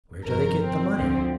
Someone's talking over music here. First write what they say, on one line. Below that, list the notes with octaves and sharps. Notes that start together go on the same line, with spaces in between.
"Where do they get the money?"
G1 F2 C3 D#3 A#4
C4
D2 D3 F3 C4